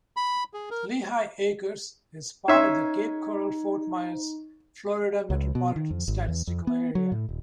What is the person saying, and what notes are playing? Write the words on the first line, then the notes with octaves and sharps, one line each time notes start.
Lehigh Acres is a part of the Cape Coral-Fort Myers, Florida Metropolitan Statistical Area.
B5
G#4
A#4
C#4 D#4 E5 C6
C#2
B2
D#3
F2
G#1
E2
F2
B3
F#3
A2
D#1